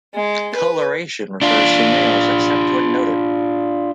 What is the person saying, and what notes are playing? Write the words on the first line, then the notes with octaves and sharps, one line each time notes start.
Colouration refers to males except when noted.
G#3
B4
D4 F4